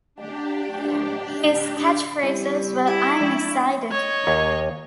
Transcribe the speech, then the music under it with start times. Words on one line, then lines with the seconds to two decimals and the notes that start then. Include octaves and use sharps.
His catchphrases were I'm excited!
0.15 D4 G4
2.23 G3 C4 E4
2.87 E4 G4 G#5 D6
3.21 F3 G#3 D4 D5 G5 C#6
3.91 C#5 D#5
4.24 D#2 A#5